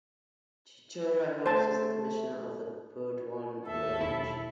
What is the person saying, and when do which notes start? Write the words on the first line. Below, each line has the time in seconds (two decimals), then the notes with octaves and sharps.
Chuchura houses the Commissioner of the Burdwan Range.
1.46 A3 C5 A5
3.66 D#2 A4 E5
4.01 E1 E4